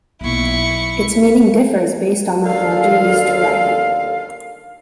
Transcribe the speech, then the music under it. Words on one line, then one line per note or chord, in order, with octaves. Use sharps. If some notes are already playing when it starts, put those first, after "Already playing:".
Its meaning differs based on the hanja used to write it.
B1 A#3 E4 C#6
D#2 D3 A4 F5